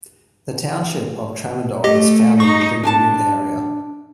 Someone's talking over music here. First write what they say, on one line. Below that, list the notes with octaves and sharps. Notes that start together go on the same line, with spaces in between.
The township of Tremadog was founded within the new area.
A3 G4 D#5
D#4 C#6
D4 G#5 A5